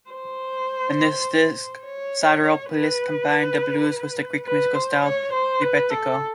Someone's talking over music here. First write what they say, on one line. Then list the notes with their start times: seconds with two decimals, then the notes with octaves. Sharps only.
In this disc, Sidiropoulos combined the blues with the Greek musical style rebetiko.
0.11 C5
1.84 C#5
2.72 B4
4.45 B4
4.75 C5
5.03 C#5
5.33 C5
5.62 B4
5.91 A4